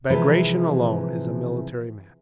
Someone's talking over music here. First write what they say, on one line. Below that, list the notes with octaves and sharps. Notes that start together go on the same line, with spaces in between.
Bagration alone is a military man.
C3 E3 F3 G#3 B4